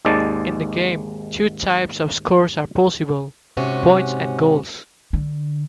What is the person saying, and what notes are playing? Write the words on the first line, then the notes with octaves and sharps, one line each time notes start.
In the game, two types of scores are possible: points and goals.
G#1 D#2 G#2 G#3 D5 A5
G#2 C3 C#4 F#4
D3